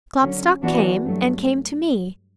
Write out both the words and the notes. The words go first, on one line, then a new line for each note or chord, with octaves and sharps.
Klopstock came, and came to me.
D3 F#3 C#4
E3 B3 D4 F#4
G2 F#3 A3